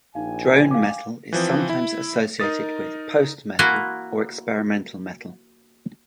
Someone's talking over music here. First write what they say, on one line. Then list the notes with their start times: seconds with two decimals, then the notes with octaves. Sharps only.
Drone metal is sometimes associated with post-metal or experimental metal.
0.15 A#1 D#4 F5 G5 G#5
0.71 F5 D6
1.32 E3 F3 C4
1.69 E4
2.40 D#4 A#4 D#6 A6
3.59 A#3 E4 F#4 G#5 A#5 C6